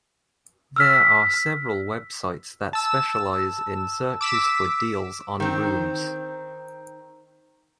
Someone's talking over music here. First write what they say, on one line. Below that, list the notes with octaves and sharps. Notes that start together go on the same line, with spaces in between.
There are several websites that specialize in searches for deals on rooms.
E6 F6 B6
A5 E6
D6 E6 B6
D#3 C4